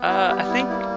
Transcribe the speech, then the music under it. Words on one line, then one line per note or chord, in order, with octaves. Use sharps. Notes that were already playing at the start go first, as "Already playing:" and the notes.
Uh, I think
Already playing: B3
E4
G3 G4
E4
A#3 E4